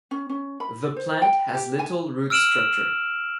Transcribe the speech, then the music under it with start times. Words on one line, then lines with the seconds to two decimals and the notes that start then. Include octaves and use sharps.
The plant has little root structure.
0.11 C#4
0.29 C#4
0.60 B5
0.96 C5
1.22 G5
1.55 G4
1.79 G#5
2.30 E6 F6 D7 E7 F#7